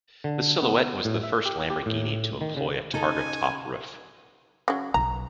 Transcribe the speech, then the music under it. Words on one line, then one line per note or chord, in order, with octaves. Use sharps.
The Silhouette was the first Lamborghini to employ a targa top roof.
D3
B3
A2
E5
G4
G4
A2
D#3
C#3
C#3 D#4 A4 G#5
C#3 F#3
B1 A#5